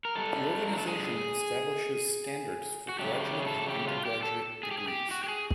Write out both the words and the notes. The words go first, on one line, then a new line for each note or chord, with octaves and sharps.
The organization establishes standards for graduate and undergraduate degrees.
A#4
G2 D3 G3 A4
A#4
A4
G#4
F#4
C#3 F#3 A3 G4
G4
G#4
A4
G4
F4
G4
A4
G#4
G4
G#4
G4
F#4
G4
G#4